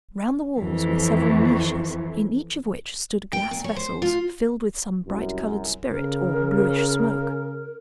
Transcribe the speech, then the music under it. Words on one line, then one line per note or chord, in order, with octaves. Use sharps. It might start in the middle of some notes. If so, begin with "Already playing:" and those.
Round the walls were several niches, in each of which stood glass vessels filled with some bright-coloured spirit or bluish smoke.
F2 E3
G5
A#2
C#5
C5
F4
C2 F#2
C#3 A#4